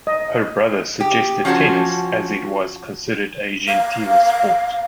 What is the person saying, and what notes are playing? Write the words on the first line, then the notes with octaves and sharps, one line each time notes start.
Her brother suggested tennis as it was considered a "genteel" sport.
D#5
G4
F3 C#4 F#4 C5 A5
F5